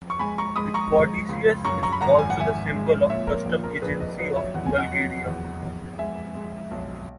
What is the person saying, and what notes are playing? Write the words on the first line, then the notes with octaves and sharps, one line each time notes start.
The caduceus is also the symbol of the Customs Agency of Bulgaria.
C#6
G#3 G#5 B5
A#5 C#6
G#3 B5 D#6
A#5 C#6
G#3
C#2
F#2 A#5 C#6
A#5 C#6
B5
G#1 F#5 A#5
G#5
F#5
G#1 E5 G#5
G#3
A#2 C#5 E5
A#4 C#5
A#1
A#4
A#1 G#4 B4
B4 D#5
F#3 B4 D#5
C#5 E5
E2 F#5
G#5
D#5 F#5
F#3
E2
E2
G#3 E5 G#5
G#3
B1